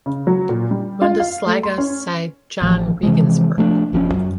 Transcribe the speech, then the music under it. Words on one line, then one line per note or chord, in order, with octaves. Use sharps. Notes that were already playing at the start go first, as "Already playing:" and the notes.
Bundesliga side Jahn Regensburg.
C#3
F#3
A#2
G3
F4
F5
A3
C6
C#4
A1 F3
C3 E3 F3 G#3
F3 A3 B3 D4
F#1 F3 C4 C#4
F#2 F#3